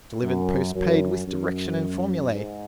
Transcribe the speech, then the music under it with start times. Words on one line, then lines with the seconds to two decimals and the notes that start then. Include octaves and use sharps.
Delivered postpaid with Direction and Formulae.
0.22 F#2
0.75 F#2
1.27 F#2
2.31 G#2